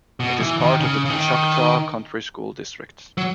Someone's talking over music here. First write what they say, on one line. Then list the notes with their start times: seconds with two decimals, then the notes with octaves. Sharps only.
It is part of the Choctaw County School District.
0.20 B2
0.40 E3
0.60 D#3
0.80 C#3
1.05 C#3
1.10 D#3
3.18 F#3